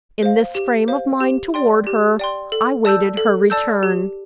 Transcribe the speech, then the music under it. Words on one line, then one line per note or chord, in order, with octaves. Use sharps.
In this frame of mind toward her, I waited her return.
C5 F5
G4
C5 F5
G4
D5 G5 C6
G4
D5 G5 C6
A4
D5 A5 E6 G6
A4
D5 A5 E6 G6
G4